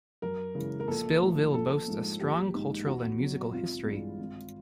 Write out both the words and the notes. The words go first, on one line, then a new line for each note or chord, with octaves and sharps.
Spillville boasts a strong cultural and musical history.
F#2 A#4
C#3 E3 G#3
A#4
A#1 A4
A2 F3 A3
A#1 A4
G#2 F3 G#3
A#1 G4
G#2 D#3
E2 F#4
B2 F#3
G#1 F4
G2 E3 G#3
G#1